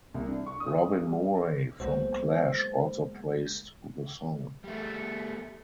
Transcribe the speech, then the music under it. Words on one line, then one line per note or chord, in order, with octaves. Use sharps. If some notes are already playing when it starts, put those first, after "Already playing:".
Robin Murray from "Clash" also praised the song.
C2
D4
C#6
D#6
G3
C2 A2 F#3 G#3 A#3 B3 F#4 C5
G3 A3